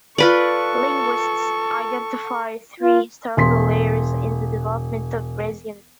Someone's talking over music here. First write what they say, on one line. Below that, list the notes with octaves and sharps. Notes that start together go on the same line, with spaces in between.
Linguists identify three historical layers in the development of Resian.
F4 A4 B4 D5 C#6
F4
E1 C6 B6